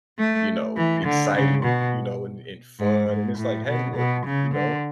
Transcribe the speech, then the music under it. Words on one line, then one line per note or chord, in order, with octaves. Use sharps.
you know, exciting, you know, and, and fun, and it's, like, "Hey, look, you know,
A3
E3
D3
C#3
B2
G#2
G#2
A2
B2
B2
C#3
D3